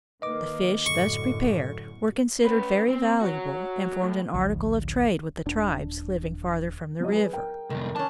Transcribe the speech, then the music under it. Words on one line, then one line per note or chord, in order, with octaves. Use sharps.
The fish thus prepared were considered very valuable and formed an article of trade with the tribes living farther from the river.
D#3 A#3 B4 D#5 D6
F#2 A2 D3 C#6
C#4 B4
C4
F#4 C#5
A2
A1 D2 F3
D#1 D4
F3 F#3 D#5
G#4 B4
A#4 G5
C2 F2 D#3
C#4 D4 A5